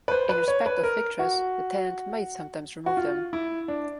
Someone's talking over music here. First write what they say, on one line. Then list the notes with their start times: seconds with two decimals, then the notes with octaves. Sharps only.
In respect of fixtures, the tenant may sometimes remove them.
0.08 B4
0.12 C5
0.29 B4
0.48 C#5
0.66 B4
0.83 A#4
1.19 F#4
2.86 F#4
2.97 F4
3.33 E4
3.68 D4